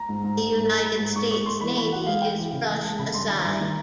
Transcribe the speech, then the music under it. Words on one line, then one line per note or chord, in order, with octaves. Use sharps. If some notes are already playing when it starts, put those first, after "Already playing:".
The United States Navy is brushed aside.
Already playing: A#5
G#2
G#2
G#3
G#2
G#2
A#5
G#3 B5
G#2
G#2 C#6
G#3 C#6
G#3 C6
E3 B5
E3 B5
E3 F#5
G#3 F5
G#3 G5
E3
C#3
E3 G#5
G#3 A5
C#3 B5
G2 C6
D#3 B5
A#5
G2
D#3